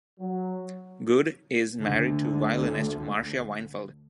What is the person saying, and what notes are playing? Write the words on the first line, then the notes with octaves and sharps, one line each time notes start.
Goode is married to violinist Marcia Weinfeld.
F#3
D2 D3